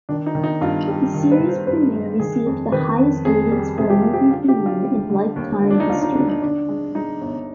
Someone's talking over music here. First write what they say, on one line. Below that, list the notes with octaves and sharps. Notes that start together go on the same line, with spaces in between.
The series premiere received the highest ratings for a movie premiere in Lifetime history.
D#3 D4
D#4
D#3
D#4
G2 F4
G3
D#3
B4
D#3
C5
G2 B4
G2
D#3 G#4
F2
D#3 B4
F2
F2 G#4
G3
C3 G#4
G4
G3 F4
G4
D3 F4
G4
D3
F4
G3
D3
D#2
D3
D4
D#4
D#2 F4
D#4
D3 D4
D#4
D3 D4
G#3
G#3 D#4
G1